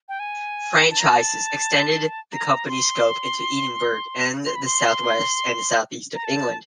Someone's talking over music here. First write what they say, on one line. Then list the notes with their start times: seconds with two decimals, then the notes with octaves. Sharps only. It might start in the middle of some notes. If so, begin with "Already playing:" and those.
Franchises extended the company scope into Edinburgh and the southwest and southeast of England.
0.09 G5
0.20 G#5
0.90 A5
0.99 A#5
1.08 A5
2.32 A#5
2.68 C6
4.46 C6
4.55 B5
4.65 C6
6.15 A#5
6.25 A5